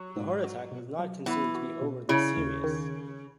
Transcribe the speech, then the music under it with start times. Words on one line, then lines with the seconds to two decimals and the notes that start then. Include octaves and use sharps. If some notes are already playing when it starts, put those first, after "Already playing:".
The heart attack was not considered to be overly serious.
Already playing: F#3
0.16 G#2
0.44 F#4
0.72 B2
0.99 F#3
1.26 E3 B3
1.55 F#4
1.81 B2
2.09 C#3 E4
2.37 D#2
2.64 D#3